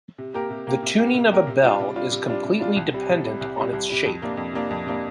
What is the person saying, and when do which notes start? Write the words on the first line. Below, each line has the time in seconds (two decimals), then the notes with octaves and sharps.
The tuning of a bell is completely dependent on its shape.
0.18 C3
0.34 A#3 G4 A#4
0.50 C3
0.67 A#3 G4 A#4
0.83 C3
0.99 A#3 G4 A#4
1.14 C3
1.31 A#3 G4 A#4
1.47 C3
1.63 G3 D4 F4
1.79 C3
1.96 G3 D4 F4
2.12 C3
2.28 G3 D4 F4
2.44 C3
2.59 G3 D4 F4
2.76 C2
2.93 C3 G3
3.09 C2
3.25 C3 G3
3.41 C2
3.57 C3 G3
3.73 C2
3.90 C3 G3
4.06 F2
4.22 C3 A#3 D4
4.37 F2
4.53 C3 A#3 D4
4.70 F2
4.86 C3 A#3 D4